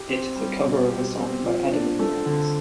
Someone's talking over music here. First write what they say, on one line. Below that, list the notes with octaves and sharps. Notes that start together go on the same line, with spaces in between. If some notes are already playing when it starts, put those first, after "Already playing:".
It is a cover of a song by Adam and the Ants.
Already playing: G4
C4
G3
B2
G4
C4
F4
D4
A3
D3